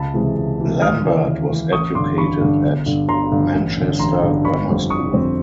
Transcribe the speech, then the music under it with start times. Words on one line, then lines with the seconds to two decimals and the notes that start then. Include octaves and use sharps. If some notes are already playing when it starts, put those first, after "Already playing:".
Lambert was educated at Manchester Grammar School.
Already playing: C#2 A5 B5
0.14 C3 E3 G#3
0.36 C#2
0.59 C3 E3 G#3
0.82 D#2 D#6 F6
1.04 C#3 E3
1.27 D#2
1.49 C#3 E3
1.72 A1 C#6 D#6
1.95 G2 C6 D6
1.99 D3
2.18 A1 B5 C#6
2.41 G2 D3
2.63 G1
2.86 G2 D3
3.09 G1 A#5 C6
3.31 G2 D3
3.54 A1
3.77 G2 D3
3.99 A1 A#5 C6
4.22 G2 D3
4.45 G1 B5 C#6
4.68 F2 D3 G3 C4
4.90 G1 C#6 D#6
5.13 F2 D3 G3 C4